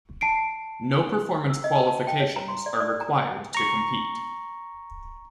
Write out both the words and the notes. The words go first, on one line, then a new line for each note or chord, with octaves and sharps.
No performance qualifications are required to compete.
A5 C7 D7
E6
D#5
A5
A5
G5
C#5
A#5
C6
D5
D5
A#5
A#5 C#6